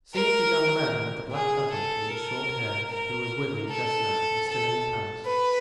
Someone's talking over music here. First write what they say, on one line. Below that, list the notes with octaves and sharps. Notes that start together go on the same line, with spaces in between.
"See if the young man with the black doublet and the short hair, who was with me just now, is still in the palace."
A#4
G#4
A4
A#4
A#4
A4
A4
B4